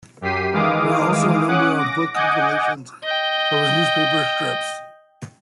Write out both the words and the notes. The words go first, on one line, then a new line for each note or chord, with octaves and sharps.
There are also a number of book compilations of his newspapers' strips.
F#2 G4 B6 C7 D#7
D#3 E3 G#3 F5 D6 D#6
C#4 F#5 D6 D#6 F#6
D6 A#6
D#5 F#5 G#5 D6 D#6 G6
D#5 G5